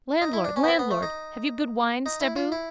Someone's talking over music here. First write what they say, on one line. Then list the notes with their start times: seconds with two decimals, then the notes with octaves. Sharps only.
Landlord, landlord, have you good wine, staboo?
0.21 D#4
0.33 E4
0.45 D4
0.56 C#4
0.64 B3
0.68 C4
0.79 B3
0.91 A3
1.03 D#4
2.06 D#4
2.21 E4
2.36 F4
2.52 E4